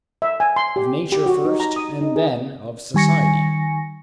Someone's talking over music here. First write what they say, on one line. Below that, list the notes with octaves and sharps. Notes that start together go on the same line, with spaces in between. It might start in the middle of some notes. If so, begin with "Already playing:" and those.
Of nature first, and then of society.
E5
G#5
C6
G4
G4
F#4
D#4
A#5
D#6
D#4
G#4
D#3 G3 G#5 C#6 A#6 C#7